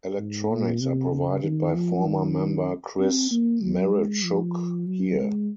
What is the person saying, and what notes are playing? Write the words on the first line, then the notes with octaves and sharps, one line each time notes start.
Electronics are provided by former member Chris Mereschuk here.
G#2
A#2
C3
C#3
D#3
F3
D#3
C4
A#3
F#3
G#3
F3
F#3
G#3